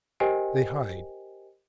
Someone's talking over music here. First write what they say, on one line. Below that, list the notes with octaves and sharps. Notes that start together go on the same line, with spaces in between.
They hide.
G4 A#4 C5 D#5 G5 G#5